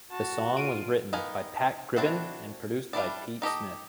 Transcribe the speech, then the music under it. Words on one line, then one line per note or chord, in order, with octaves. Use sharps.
The song was written by Pat Gribben and produced by Pete Smith.
F#4 A5
F4 D7 D#7
D#3 B3 F5 G#5
C4 D4 E4 F#4
G3 D4 E4 D5
D#4 G4 A4 D#5